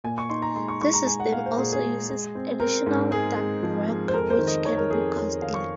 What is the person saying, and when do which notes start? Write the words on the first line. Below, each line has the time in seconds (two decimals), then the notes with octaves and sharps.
This system also uses additional ductwork which can be costly.
0.04 A#2 G#5
0.18 C#6
0.30 D#4 C6
0.42 A#5
0.56 G#3 C6
0.68 C#6
0.81 G#3 C#6
0.93 A#5
1.06 G#3 G#5
1.20 F#5
1.32 A#2 F5
1.46 C5
1.58 A#2 G#4
1.72 G#4
1.83 G#3
2.09 G#3
2.35 C4
2.60 C4 A#4
2.86 G#2
3.11 G#3 G#4
3.37 G#3
3.63 F3
3.88 G#3
4.08 C5
4.13 F2 A#4
4.30 C5
4.39 D#3
4.47 D#5
4.65 D#3 C#5
4.77 A#4
4.90 F2 G#4
5.16 F2 C#5
5.41 D#3 F5
5.54 C#6